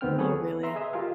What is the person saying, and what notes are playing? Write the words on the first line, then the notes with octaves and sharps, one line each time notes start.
Oh really?
D2 D#3 B3 C4 G5 F6
G#4 A4 B4 C#5
B3
B4 E5 A#5 C6
G#4 D#5 E5
F4 G4 G#4 A#4 F5